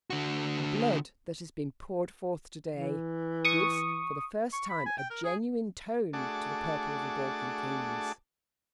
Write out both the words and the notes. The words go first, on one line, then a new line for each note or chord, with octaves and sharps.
The blood that has been poured forth to-day gives for the first time a genuine tone to the purple of the Balkan Kings.
D3 F#4
E3
C#6 D#6
C#6
B5
G#5
G5
A#4
G#4
A3 D4 F#4 G#4 A5 D6